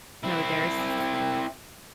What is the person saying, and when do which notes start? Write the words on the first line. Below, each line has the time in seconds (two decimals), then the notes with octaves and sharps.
No. There's
0.24 C4 E4